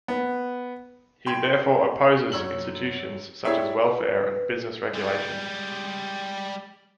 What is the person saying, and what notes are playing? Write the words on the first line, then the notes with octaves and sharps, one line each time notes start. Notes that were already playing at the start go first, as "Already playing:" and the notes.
He therefore opposes institutions such as welfare and business regulation.
B3
G5 C6 G#6 D7
F#2 C#5 E6 F#7
E4 G4 G#4 C#5 D5 E5
B4
G3 G#3